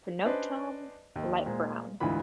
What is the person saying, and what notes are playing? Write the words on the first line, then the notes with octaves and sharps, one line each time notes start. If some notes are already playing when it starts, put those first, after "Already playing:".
Pronotum light brown.
C#4 D4 B4 C5 D5 D#5
D#2
A#2 G#3 C5
D2 G#2 D3 E3 F4 B5